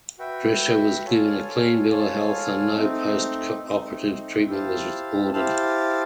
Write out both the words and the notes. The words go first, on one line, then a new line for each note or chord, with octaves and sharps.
Drescher was given a clean bill of health and no post-operative treatment was ordered.
F#4 B4 E5 G5
F4 A4 C#5 F5 G#5
F4 A4 C#5 F5 G#5
A3 C4 D#4
A3 C4 D#4
E4 G4 C5 F5 A5
E4 G4 C5 F5 A5